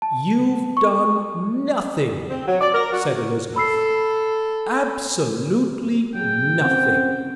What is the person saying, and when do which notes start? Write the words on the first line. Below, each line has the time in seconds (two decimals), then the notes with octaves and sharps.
"You've done nothing," said Elizabeth, "absolutely nothing."
0.02 A5
0.77 C#6
2.29 C4
2.47 F#3
2.61 D5
2.74 A#4
2.92 F#4
3.56 A4 B5 E6 C7
6.15 F#3 G#4 G5
6.60 C#3 C4 F#5